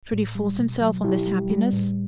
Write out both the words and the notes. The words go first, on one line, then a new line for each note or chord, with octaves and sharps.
Should he force himself on this happiness?
A2
G3
B2
F#3
B2 E4 G4
G3
G3
A2